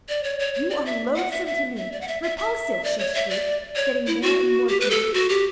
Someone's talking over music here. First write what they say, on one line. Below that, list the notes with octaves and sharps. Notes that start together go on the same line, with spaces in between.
"You are loathsome to me, repulsive!" she shrieked, getting more and more heated.
D5
C#5
C#5
C#5
D5
E5
F#5
E5
E5
E5
D5
F#5
E5
E5
E5
D5
C#5
E5
D5
C#5
E4
F#4
G4
B4
A4
F#4
G4